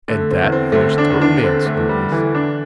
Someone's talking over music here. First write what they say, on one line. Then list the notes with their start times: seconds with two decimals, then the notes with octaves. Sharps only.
"And that finished the romance, Louise."
0.08 D3 A3
0.31 C4
0.41 E2
0.52 C4
0.72 A3
0.75 D3 C4
0.98 D4
1.10 E2
1.21 D4
1.43 D3 C4
1.66 A3
1.77 E2
1.89 G3
2.12 D3 E3
2.35 D4